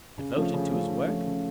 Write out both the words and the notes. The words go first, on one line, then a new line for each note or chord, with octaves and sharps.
Devoted to his work.
C#3
F3 A3 C#4
C#3
F3 A3 C#4
C#3
F3 A3 C#4
C#3